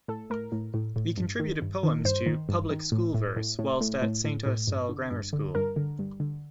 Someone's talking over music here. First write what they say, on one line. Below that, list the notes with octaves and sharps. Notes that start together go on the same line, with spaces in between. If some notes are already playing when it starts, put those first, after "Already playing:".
He contributed poems to "Public School Verse" whilst at Saint Austell Grammar School.
A2 A4
A2 A#4
A2
A2
A2
G2
D#3
G2
D#3
G2 C5
D#3
G2
D#3
A2
A2
A2
A2
A2
A2
A2
A2
G2
D3
G2
D3
G2 A#4
D3
G2
D3